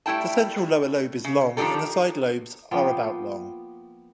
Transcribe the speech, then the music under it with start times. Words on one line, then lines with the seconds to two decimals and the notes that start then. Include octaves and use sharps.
The central lower lobe is long and the side lobes are about long.
0.06 G3 A3 E4 G5 A5
1.24 C#3
1.57 D#3 F3 C4 D4 G4 A4
2.71 F3 A#3 B3 G5